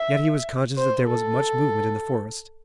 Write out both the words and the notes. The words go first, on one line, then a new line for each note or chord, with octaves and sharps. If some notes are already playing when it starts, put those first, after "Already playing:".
Yet he was conscious that there was much movement in the forest.
Already playing: E5
C5
A4